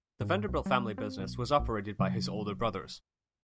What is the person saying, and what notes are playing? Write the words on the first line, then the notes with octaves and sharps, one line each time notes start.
The Vanderbilt family business was operated by his older brothers.
G#2
C2
G3
C4
B1
A#1
C3 F#3